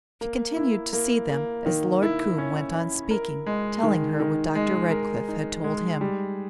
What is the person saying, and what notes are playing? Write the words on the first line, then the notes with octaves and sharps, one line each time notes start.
She continued to see them as Lord Coombe went on speaking, telling her what Dr. Redcliff had told him.
A#3
E4
A#3
A#3
D#3
E4
C#4
E4
A#4
G#3
D#3
D#3
G#3
A#4
D#4
G#3
G3